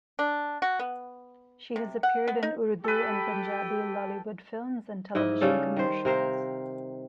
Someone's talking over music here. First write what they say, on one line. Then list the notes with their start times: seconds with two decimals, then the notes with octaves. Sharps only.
She has appeared in Urdu and Punjabi Lollywood films and television commercials.
0.19 D4
0.62 F#4
0.79 B3
1.76 C3
2.03 F#5
2.28 B3
2.43 D#4
2.84 G4 A4 B4 G5
5.15 G#2 E4 D#5
5.41 C#3 G3 C#4 A4
5.77 D#3 C5
6.05 C3 A#4 C5 F5